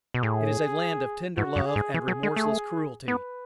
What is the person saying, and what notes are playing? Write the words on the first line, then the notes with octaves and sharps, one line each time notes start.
It is a land of tender love and remorseless cruelty.
B2
A2 G#4
G#2 F#4
F#2
G#4
G#2
E3 G#4
F#3
G#3
A3
B3 B4